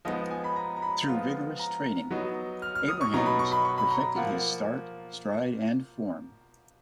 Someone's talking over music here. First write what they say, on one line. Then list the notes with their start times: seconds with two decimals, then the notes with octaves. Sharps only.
Through vigorous training, Abrahams perfected his start, stride and form.
0.05 F3 G#3 B3 D#4 D#5
0.30 G#5
0.44 B5
0.56 A#5
0.76 A#5
0.82 B5
1.08 F3 G#3 B3 F4
1.59 A#5
2.10 F#3 B3 D#4
2.62 F6
2.75 F6
2.88 D#6
3.01 C#6
3.13 B2 F#3 B3 D#4 A#5
3.26 B5
3.39 C#6
3.52 B5
3.65 C#6
3.78 B5
3.91 A#5
4.16 F3 A#3 F4 F#5